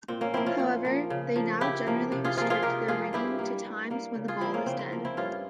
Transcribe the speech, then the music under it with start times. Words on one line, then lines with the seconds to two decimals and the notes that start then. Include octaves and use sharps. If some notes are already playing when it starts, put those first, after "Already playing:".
However, they now generally restrict their ringing to times when the ball is dead.
0.08 A#2 C4
0.21 A#3 C#4
0.33 F3 A#3 C4 E4
0.46 C#4 F4
0.59 A#2
0.85 F3 A#3
1.10 C#3
1.36 F3 A#3
1.61 C#3 E4 G4
1.87 F3 A#3
2.12 C3
2.24 F4 G#4
2.37 F3 A#3 F4 G#4
2.50 F4 G#4
2.62 C3 G4 A#4
2.88 F3 A#3 F4 G#4
3.13 G2 E4 G4
3.39 G3 A#3
3.64 G2
3.90 G3 A#3
4.15 C#3
4.28 F4 G#4
4.41 F3 A#3 C4 E4
4.54 A#3 C#4
4.66 C#3 C4
4.79 C4
4.92 F3 A#3
5.05 C4 E4
5.17 G2 C#4 F4